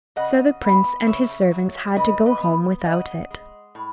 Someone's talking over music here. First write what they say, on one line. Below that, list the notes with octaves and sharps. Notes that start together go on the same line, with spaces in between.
So the prince and his servants had to go home without it.
C#3 D#5 F#5
B3
C#3 C#5 E5
F#3
C#3 B4 D#5
B4 D#5
B3
C#3 D#5 F#5
G#3
A2